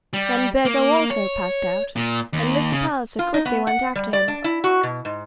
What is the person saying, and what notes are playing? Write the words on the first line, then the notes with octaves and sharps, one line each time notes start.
Then Burgo also passed out, and Mr. Palliser quickly went after him.
G3
A#3
C#5
A#2
D#2
C#3
F4
D#4
B3
F#5
G3
D5
D4
E4
F#4
B2
G#2